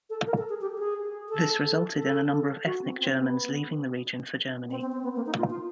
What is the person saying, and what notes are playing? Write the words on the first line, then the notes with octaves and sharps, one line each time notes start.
This resulted in a number of ethnic Germans leaving the region for Germany.
A4
A#4
A4
G#4
G4
G#4
A4
A4
F#4
C4
C4
B3
C4
C4
C4
B3
A#3
D#4
F4
F4